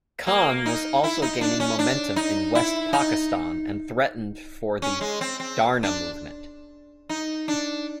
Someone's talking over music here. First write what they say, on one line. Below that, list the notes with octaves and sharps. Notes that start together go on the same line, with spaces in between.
Khan, was also gaining momentum in West Pakistan and threatened for the "Dharna" movement.
A#3
D#4
E4
D#4
D4
C#4
D4
D#4
E4
D#4
C#4
G#3
C4
C4
D4
D#4
D4